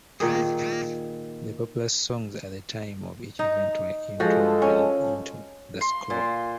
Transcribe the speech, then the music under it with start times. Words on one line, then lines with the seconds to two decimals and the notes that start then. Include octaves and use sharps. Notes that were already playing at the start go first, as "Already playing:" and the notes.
The popular songs at the time of each event were interwoven into the score.
0.20 A#2 D#3 G#4
3.39 D#4
4.20 F3 G#3 F#4 A4
4.62 C#4
5.81 C6
6.10 A#2